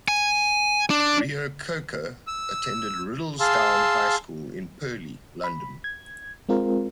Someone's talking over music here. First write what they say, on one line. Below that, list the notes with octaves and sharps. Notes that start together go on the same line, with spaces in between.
Reo-Coker attended Riddlesdown High School in Purley, London.
G#5
D4
E6
G#4 F5 A5 C6 E6
B5
G#6
G#3 C4 F4 A#4